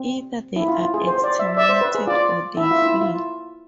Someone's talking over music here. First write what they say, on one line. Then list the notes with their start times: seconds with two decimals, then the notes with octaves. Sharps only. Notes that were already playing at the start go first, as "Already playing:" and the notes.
Either they are exterminated or they flee.
Already playing: C4
0.56 E4
0.68 F4
0.81 F4
0.94 G#4
1.07 C5
1.18 C5
1.24 D5
1.39 E5
1.57 D5 E5
1.69 C5
1.81 B4
1.95 G#4
2.07 F4 D5
2.57 E4 E5
2.71 F4
2.82 E4
3.01 F4